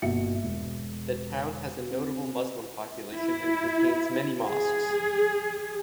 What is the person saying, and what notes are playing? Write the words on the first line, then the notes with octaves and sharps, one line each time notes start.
The town has a notable Muslim population and contains many mosques.
G1 B2 A#3 E5 C#7
E1
C4
E4
G#4